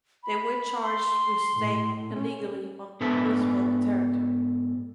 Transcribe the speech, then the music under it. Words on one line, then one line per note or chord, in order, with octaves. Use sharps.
They were charged with staying illegally on Uzbek territory.
B5
C6
A2
C#4
G#2 B3 A4 E5 A5